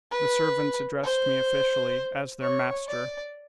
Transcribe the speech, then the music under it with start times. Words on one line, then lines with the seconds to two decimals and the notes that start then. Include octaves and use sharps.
The servants addressed me officially as their master.
0.11 B4
1.04 C5
2.41 C#5
2.87 D5